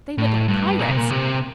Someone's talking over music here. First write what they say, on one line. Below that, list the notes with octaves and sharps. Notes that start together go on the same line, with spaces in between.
"They look like pirates."
A2
G2
A#2
C3
A#2
C3